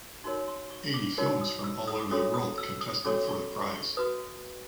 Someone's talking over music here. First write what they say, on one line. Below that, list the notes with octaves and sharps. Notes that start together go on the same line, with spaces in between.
Eighty films from all over the world contested for the prize.
D#4 F#4 A#4 C#5 C6
C6
C#6
D6
D#4 F#4 A#4 C#5
D#6
E6
D#6
D6
C#4 F#4 A4 C#5 D#6
D#6
E6
D#6
C#4 F#4 A4 C#5 D6
C#6
C#6
F#4 B4 D#6